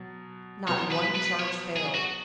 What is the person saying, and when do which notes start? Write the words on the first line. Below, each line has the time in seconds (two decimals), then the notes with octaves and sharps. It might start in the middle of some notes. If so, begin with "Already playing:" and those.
Not one charge failed.
Already playing: B2 F#3
0.68 B2 F#3 B3 C#5
0.92 B4
1.16 B4
1.40 C#5
1.77 G#4
1.94 F#4